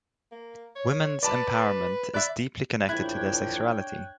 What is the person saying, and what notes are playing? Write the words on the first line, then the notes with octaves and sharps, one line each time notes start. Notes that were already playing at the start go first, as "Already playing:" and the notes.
Women's empowerment is deeply connected to their sexuality.
A#3
C#5
B4 D5 A5 B5
D5 E5 B5 F#6
A#1 D4 E4 C#5 G5 F#6 G#6